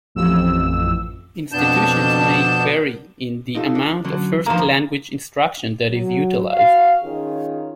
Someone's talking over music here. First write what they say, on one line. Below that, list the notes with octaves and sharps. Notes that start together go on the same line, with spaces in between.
Institutions may vary in the amount of first-language instruction that is utilized.
A1 F2 E6
F2 B2 B3 D4 A5 G6
D#4 F4 A4
D4
D3 F#3 C#4
D#3 F3 A#3
F#3
F#4 F5
D#3 C#4 F4 G#4 C#5